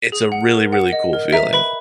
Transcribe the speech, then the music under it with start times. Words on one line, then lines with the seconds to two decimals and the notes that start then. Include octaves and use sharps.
it's a really, really cool feeling
0.12 G#4
0.32 F#5
0.52 A#4
0.73 F#5
0.92 D#5
1.13 A#4
1.33 E5 A#5
1.53 B4 B5